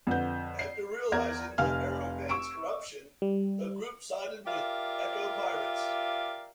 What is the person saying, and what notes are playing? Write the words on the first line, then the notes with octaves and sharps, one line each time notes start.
After realizing the Aeropan's corruption, the group sided with the Eco Pirates.
F2 D3 B4 G6
C7
E2 A#4 D5 G#6
F1 C3 F5 G#5 F6
C#6 E6 D7
G3
F4 G4 A#4 D5 E5 F5